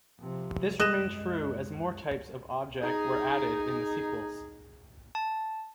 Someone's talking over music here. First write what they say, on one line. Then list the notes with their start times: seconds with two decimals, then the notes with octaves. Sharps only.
This remained true as more types of object were added in the sequels.
0.19 C3 F3
0.80 F#2 G#3 D#5 F#6 E7
2.81 D#4 G#4
5.15 A5